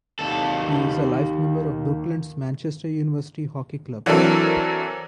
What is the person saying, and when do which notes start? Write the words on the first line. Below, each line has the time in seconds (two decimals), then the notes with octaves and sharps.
He is a life member of Brooklands Manchester University Hockey Club.
0.19 D#2 A4
4.06 E3 F#3 C4 D4 A4 A#4